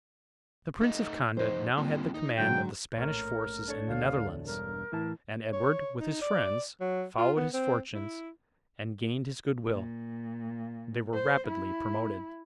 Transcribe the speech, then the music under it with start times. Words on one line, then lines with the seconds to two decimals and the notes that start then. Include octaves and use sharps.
The Prince of Conde now had the command of the Spanish forces in the Netherlands; and Edward, with his friends, followed his fortunes, and gained his good-will: they were rapidly promoted.
0.81 A3 D#4 D#5
1.37 F2 D#4 C5
1.78 D#2 G3 C4 F4
2.14 D#4
2.38 G#2 D3 F#3 G#3 G5
2.97 A#1 A2 A#4 C#5
3.68 D4 A4 C#5
3.87 G#1 D2 A2 F5
4.45 E1 G2 A#4
4.92 A2 E3 E4 A5
5.53 C#5
6.00 D#4
6.21 D5
6.80 F#3
7.18 F4
7.36 B3
7.53 C4
7.93 E4
9.71 A#2
11.14 C5
11.47 E4